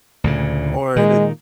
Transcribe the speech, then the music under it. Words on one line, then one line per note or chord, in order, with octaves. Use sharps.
Or the
D2 A#2 C#3
A#2 D#3 G#3